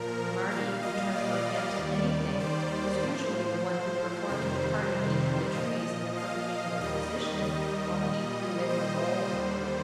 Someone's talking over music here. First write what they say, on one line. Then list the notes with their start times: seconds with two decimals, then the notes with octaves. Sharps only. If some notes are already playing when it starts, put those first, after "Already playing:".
Marty, who turned her hand to anything, was usually the one who performed the part of keeping the trees in a perpendicular position while he threw in the mould.
Already playing: A#2 F3 A#4
0.51 A#2 G3 F5
0.82 D#5
1.14 D5
1.78 D#2 D#3 G3
2.40 C5
3.03 A2 F3
4.28 F2 C3 D#3 G3 C5
5.54 A#2 F3 D#5
6.17 F5
6.80 D#2 D#3 G3 D#5
7.44 D#5
8.06 A#2 G3
8.69 C5
9.32 D#2 D3 G3